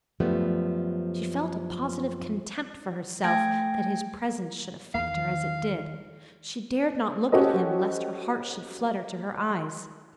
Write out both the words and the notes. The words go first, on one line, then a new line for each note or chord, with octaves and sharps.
She felt a positive contempt for herself that his presence should affect her as it did; she dared not look at him lest her heart should flutter to her eyes.
F#2 F3 G3 A3 B3
A3 G5 G#5 G#6 A#6 D7
E2 D#3 F5
C#4 F#4 G4 A4 C5 D#5